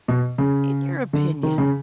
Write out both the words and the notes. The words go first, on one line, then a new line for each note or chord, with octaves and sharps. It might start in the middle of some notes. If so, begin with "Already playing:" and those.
In your opinion,
B2
C#3
D3
D#3
C#3